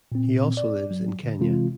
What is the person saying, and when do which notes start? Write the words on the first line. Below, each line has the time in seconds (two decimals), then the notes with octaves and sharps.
He also lives in Kenya.
0.12 A#2 C4
0.57 D5
0.91 F#3
1.23 D3
1.40 C3 E3 G#3 C4 F4